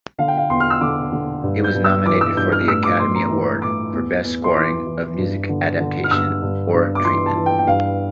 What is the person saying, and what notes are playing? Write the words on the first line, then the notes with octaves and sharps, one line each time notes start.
It was nominated for the Academy Award for Best Scoring of Music-Adaptation or Treatment.
D3 F5
G5
F5
E2 C6
F6
E6
D3 D6
D3
G2
G6
G2
E6
E3 D6
E6
G2 G6
F6
A2 E6
D6
A2 C6
A#5
E3
A2 D6
E2
E2
C6
E3 D6
E3
G2
D3
D3
F6
G2 E6
G2
G2
D6
E3 C6
A5
E3
G5
G5
G2 F5